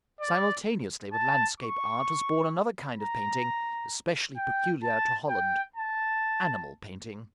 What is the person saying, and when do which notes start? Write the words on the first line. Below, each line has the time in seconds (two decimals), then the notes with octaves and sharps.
Simultaneously with landscape art was born another kind of painting, especially peculiar to Holland,--animal painting.
0.21 D5
1.13 A5
1.60 C#6
2.98 A#5
4.37 G5
4.83 A5
5.29 G5
5.76 A5